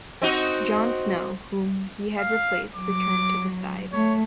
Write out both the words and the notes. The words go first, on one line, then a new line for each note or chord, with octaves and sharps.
John Snow, whom he had replaced, returned to the side.
C4 D#4 F#4
F5
F#3 D6
A3 C#5